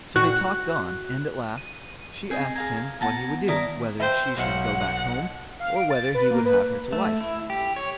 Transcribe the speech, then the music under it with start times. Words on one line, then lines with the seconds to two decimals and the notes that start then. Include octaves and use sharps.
So they talked on, and at last she asked him what he would do; whether she should go back home, or whether he would have her to wife.
0.16 F#4 F#6
1.58 D#7
2.31 C4 G#4 D#5
2.56 G#4 F5 A#5 G#6
3.01 B3 F#5 A5 A#5
3.48 D#3 E4 D5 A#5
4.00 C5 E5 G5
4.37 B1 F5 F#5
5.60 F5
5.76 D7
5.90 A6
6.14 B4
6.31 A#3
6.45 B4
6.93 A3
7.21 E4
7.50 G4
7.76 C#5